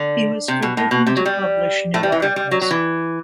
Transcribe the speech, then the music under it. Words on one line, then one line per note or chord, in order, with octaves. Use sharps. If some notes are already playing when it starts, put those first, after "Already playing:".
He was forbidden to publish new articles.
Already playing: D3
C3
B2
A2
B2
C3
F#3
G3
A2 A3
G3
E3
G3
G3
F#3
F#3
E3